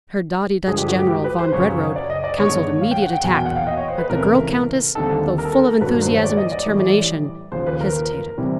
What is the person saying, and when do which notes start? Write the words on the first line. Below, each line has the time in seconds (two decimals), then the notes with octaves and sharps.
Her doughty Dutch general, von Brederode, counselled immediate attack, but the girl countess, though full of enthusiasm and determination, hesitated.
0.67 G2 D3 F3 G#3 G#4
0.78 G4
0.88 F#4
0.99 G4
1.10 G4
1.24 B4
1.39 C5
1.52 F#2 C#3 F#3 C#5
1.96 D5
2.10 D#5
2.24 D5
2.38 G2 D#3 G#3 B3 D4 C#5
2.81 F5
2.91 G5
3.02 F#5
3.13 G5
3.24 E2 B2 F#3 A#3 G#5
3.34 G5
3.45 F#5
3.56 F5
3.67 D#5
3.77 C#5
3.88 C5
3.98 B4
4.10 C#2 C3 E3 A3 C#4 A#4
4.95 D#2 D3 G3 C4 D#4 A4
5.38 A#4
5.45 A4
5.53 A#4
5.81 G2 D#3 F#3 A#3 D4 B4
6.02 C5
6.17 C#5
6.24 D5
6.37 D#5
6.52 D5
6.66 A2 E3 G3 C#5
6.80 D5
7.52 D#2 C#3 F3 C5
7.66 B4
7.81 A#4
8.38 C3 E3 G3 C4